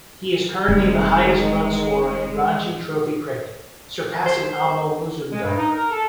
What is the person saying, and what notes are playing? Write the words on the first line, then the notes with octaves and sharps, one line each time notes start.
He is currently the highest run-scorer in Ranji Trophy cricket, surpassing Amol Muzumdar.
F1 D#3 G3 G#3
C5
G#3
G2
D#4
A#4
A4